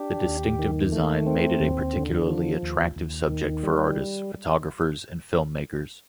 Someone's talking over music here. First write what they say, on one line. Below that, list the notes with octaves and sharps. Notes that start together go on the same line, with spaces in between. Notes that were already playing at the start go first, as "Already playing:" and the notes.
The distinctive design made it a particularly attractive subject for artists, photographers and film-makers.
Already playing: D4 G4
D#2
D#3
A3
C4
D#2
D3
F3
D#2
D#2
D#3
G3